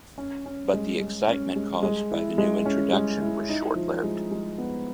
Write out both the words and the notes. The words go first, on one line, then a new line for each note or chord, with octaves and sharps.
But the excitement caused by the new introduction was short-lived.
C#4
C#4
G#3
G#3
C#4
G#3
G#3
E4
G#3
C#4
G#3
E4
D#4
F3
G#3
G#3
B3